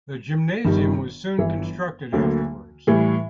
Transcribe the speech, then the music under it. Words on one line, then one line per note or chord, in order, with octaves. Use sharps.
The gymnasium was soon constructed afterwards.
G1 G2 D#3 G3
G1 G2 E3
D2 D3 F#3 A#3
A2 E3 G3